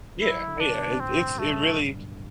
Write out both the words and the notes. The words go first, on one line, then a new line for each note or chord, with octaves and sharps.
Yeah, yeah, it's it's it really
F#3 E4
D3
D4
B2
G2
A2 C4
G2 A3